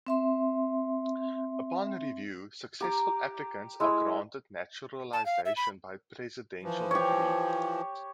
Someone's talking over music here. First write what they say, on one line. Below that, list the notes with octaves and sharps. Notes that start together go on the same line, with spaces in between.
Upon review successful applicants are granted naturalization by presidential decree.
C4 E5 C6
G4 A#5 D6
G#3 E4
A5
F5
E5
B5
E3 F3
G4 C#5